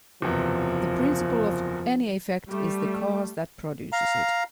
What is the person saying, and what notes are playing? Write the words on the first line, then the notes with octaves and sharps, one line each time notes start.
The principle of any effect is the cause that produces it.
F#1 E2 C3 F3
G3 A3
F5 A#5